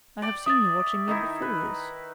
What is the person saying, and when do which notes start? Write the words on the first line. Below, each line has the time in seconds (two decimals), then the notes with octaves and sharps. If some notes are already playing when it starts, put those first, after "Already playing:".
'I have seen you watching me before this.'
0.22 D5 G5
0.46 E5 D#6 A6
1.08 D#3 D#4 E4
1.42 B4